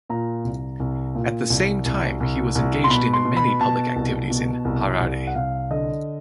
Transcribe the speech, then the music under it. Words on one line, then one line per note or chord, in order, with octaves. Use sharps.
At the same time he was engaged in many public activities in Harare.
A#2 A#5
C2
C2
A#2
C2
C2
C2
C2
C6
B2 B5
C6
B2
B5
B2 A5
C2
B2
C2
C2
F#5
C2 F5
D3 D#5